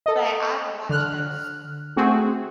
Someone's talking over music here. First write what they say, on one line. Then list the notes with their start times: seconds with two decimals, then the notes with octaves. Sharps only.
But I've watched those
0.06 A4 D#5
0.89 D3 F6 F#6
1.96 A3 C4 F#4 G#4